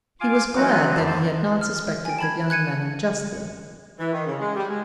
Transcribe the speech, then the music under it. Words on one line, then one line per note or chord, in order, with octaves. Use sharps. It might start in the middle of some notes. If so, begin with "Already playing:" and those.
He was glad that he had not suspected the young man unjustly.
F4 F5 G#5 D6
E3 F#3 C4 D#4 F#4
F2 D3 C5 A5
F6
G5 G#5
A5 B5 G#6
F#6 G#6 C#7 D#7
E3
D#3
C#3
G#3
G3
G#3